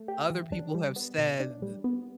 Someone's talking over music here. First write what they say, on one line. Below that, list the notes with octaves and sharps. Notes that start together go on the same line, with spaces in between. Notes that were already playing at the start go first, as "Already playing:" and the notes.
Other people have said, "Th
Already playing: A3
G4
E3
D4
G3
B3
B2
D4
G3
B3